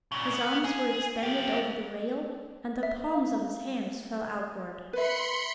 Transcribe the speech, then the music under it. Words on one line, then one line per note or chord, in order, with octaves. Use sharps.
His arms were extended over the rail, and the palms of his hands fell outward.
A#2 C#3
B3
G#4
F4 G4
E5
F5
B4 E5 B5 C6 C#7